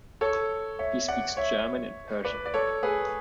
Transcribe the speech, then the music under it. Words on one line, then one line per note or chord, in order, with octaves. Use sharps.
He speaks German and Persian.
A4 C#5
C#5 E5
D5 F#5
C#5 E5
B4 D5
D5
A4 C#5
G#4 B4